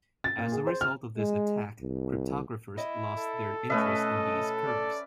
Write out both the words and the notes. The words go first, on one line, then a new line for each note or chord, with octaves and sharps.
As a result of this attack, cryptographers lost their interest in these curves.
A6
A#2
G#4
C5
F6
G#3
C2
E4 D#5
A4
B2 A3 C#4 B4 D#5 E5
D5